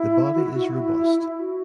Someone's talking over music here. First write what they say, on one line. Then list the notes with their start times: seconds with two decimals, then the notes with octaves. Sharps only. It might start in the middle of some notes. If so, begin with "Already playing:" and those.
The body is robust.
Already playing: E4
0.35 F#4
0.45 E4
0.54 F#4
0.64 E4
1.24 E4
1.39 F#4